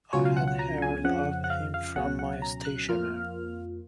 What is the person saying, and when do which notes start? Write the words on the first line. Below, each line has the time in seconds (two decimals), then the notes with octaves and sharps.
I had heard of him from my stationer.
0.13 C#2 B2 F#3 C#4 F4 C#5
0.25 F5
0.37 F#5
0.47 F#5
0.59 A#5
0.82 G#5
1.04 F2 C#3 F3 F#5
1.44 F#5
1.50 F5
1.74 F5
1.96 C#2 B2 F#3 C#4 F#5
2.19 F#5
2.42 A#5
2.65 F#6
2.88 F2 F3 A#3 F4 F6